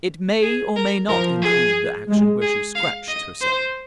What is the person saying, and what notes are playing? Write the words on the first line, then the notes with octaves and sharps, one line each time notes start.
It may or may not include the action where she scratched herself.
G#4
A#4
F3 A#4
G#4
G#3
G#4
F5
D#5
C5